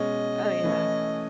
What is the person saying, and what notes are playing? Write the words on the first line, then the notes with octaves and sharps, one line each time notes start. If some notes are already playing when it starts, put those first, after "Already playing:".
Oh, yeah.
Already playing: B2 G#3 C#4 D#5
E3 A3 C#4 E4